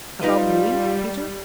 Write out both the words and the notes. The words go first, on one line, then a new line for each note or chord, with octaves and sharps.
"About me, Peter?"
G3 D#4 F4 B4 D#5